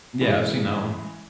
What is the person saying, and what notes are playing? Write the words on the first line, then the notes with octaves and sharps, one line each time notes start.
Yeah, I've seen that one.
C#3 E3 G#3 E4